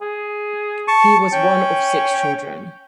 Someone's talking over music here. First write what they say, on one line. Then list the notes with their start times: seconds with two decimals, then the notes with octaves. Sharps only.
He was one of six children.
0.01 G#4
0.88 A5 C#6
1.32 C#4 G5